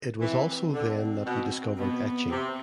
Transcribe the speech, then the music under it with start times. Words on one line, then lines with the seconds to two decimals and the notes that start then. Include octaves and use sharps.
It was also then that he discovered etching.
0.21 E3 C4
0.73 D3 C4
1.26 B2
1.78 B2 B3
2.30 C3 C4